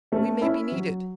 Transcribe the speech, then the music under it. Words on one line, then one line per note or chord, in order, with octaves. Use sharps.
"We may be needed."
A3 C#4
C#4 E4
F#3